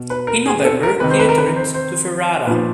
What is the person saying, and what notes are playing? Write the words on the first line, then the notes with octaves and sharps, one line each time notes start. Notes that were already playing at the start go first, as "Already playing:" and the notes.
In November he returned to Ferrara.
Already playing: B2
B4
A#4
G#4
A4
A#4
C3 D#3 B4
C5
B4
A#4
B4
C5
C5
A#2 F3 B4